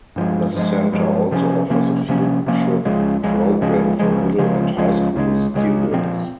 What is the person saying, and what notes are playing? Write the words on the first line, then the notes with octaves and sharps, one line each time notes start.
The center also offers a field trip program for middle and high school students.
G2 F3 G#3
G2 F3 G#3
G2 F3 G#3
C3 F3 A#3 C#4
C3 F3 A#3 C#4
C3 F3 A#3 C#4
C3 F3 A#3 C#4
C#2 C#3 F3 G#3
C#2 C#3 F3 G#3
C#2 C#3 F3 G#3
C#2 C#3 F3 G#3
C#2 C#3 F3 G#3
C#2 C#3 F3 G#3
C#2 C#3 F3 G#3
C#2 C#3 F3 G#3
A#2 F3 C4